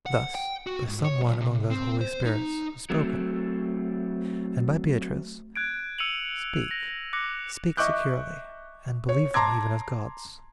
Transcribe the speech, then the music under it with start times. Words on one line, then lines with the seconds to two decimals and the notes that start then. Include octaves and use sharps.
Thus by some one among those holy spirits Was spoken, and by Beatrice: "Speak, speak Securely, and believe them even as Gods."
0.06 F#5
0.35 G5
0.67 F#4
0.88 G#2
1.04 C#5
1.22 B1
1.40 C3
1.70 C4
2.01 C5
2.25 D#4
2.90 F#3 A3 C4
5.56 F#6 G#6 D7
5.98 E6 C#7 D#7 F7 F#7
6.71 A#6
7.13 D6 F#6 A#6 C#7
7.77 D#5 E5 C#6 D6 F#6 G6
9.09 C#5
9.34 A5 A#5 C6 D6 G#6